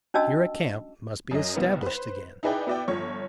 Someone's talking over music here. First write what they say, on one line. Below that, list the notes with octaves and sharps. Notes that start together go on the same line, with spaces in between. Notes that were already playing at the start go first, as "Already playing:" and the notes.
Here a camp must be established again.
C#4 D4 F#4 D#5 A5 E6
F#2 D#5
C2 B3 D#4
B4 C5
D#4 E4 G#4 B4 D5 G5
B3 E4 F#4 D5 E5 G5
G1 F3 C#5 C#6